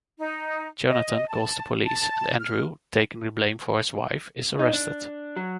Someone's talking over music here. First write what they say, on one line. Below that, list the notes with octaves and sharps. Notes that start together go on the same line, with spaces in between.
Jonathan calls the police, and Andrew, taking the blame for his wife, is arrested.
D#4
D#5
A5
A5
F6
D#4
D4
F#3